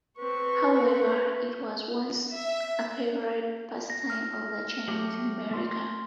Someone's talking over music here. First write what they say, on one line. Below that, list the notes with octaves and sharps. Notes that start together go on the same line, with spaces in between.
However, it was once a favorite pastime of the Chinese in America.
C4 B4 C#6
E5
A#6
F6
F#3 A3 G4
A3 C6